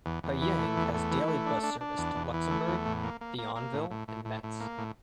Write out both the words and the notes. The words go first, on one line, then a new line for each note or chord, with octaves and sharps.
Hayange has daily bus service to Luxembourg, Thionville and Metz.
E2
E2
E3
A3
E2
A3
E3
A3
D4
D4
D4
E2
E2
E3
A3
E2
A2
A#3
A#3
A#3
A#3
A2
A2
A2
A2
A2
A#3
A2